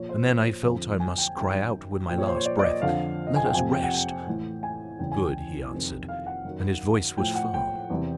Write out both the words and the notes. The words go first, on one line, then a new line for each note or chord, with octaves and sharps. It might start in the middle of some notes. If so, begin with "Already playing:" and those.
And then I felt I must cry out with my last breath, 'Let us rest!' . . . 'Good!' he answered; and his voice was firm.
Already playing: A#2 F3 C#5
C5
F2 D3 F3
G#5
G5
F#2 D#3 G5
A#2 F3 G5
C#5
C5
C#5
D5
D5
D#5
F2 D3 F3 F5
D#5
G#5
G5
F2 C3 F3 G#5
G5
F#5
G5
A2 E3
G#5
E2 C#3 E3 G5
G#5
G5
F2 C3 D#3
F5
F#5
F#2 D#3
A2 F3 G5
F#5
G5
E2 C3 E3